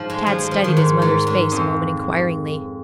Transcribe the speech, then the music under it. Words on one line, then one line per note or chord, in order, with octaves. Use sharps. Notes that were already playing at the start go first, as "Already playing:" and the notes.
Tad studied his mother's face a moment inquiringly.
Already playing: G#2 F3
G#3
F3
G#3
F3
D#3
G#2
G#2
G#2
F2